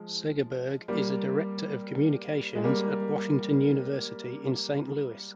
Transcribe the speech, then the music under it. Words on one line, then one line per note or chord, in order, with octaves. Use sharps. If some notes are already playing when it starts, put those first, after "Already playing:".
Segerberg is a Director of Communications at Washington University in Saint Louis.
Already playing: F3 G#3
G3 A#3
G#3
G3 A#3